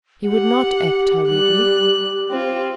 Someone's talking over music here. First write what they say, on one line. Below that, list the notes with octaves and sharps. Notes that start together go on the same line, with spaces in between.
He would not act hurriedly.
G4 F#5
G3 F#6
C4 F4